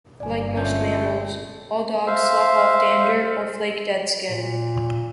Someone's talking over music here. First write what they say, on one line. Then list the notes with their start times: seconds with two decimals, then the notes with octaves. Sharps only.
Like most mammals, all dogs slough off dander, or flake dead skin.
0.20 G1 D5 G#5
0.57 A3 C#4 F4 G6
2.07 C5 E5 F5
4.30 A#2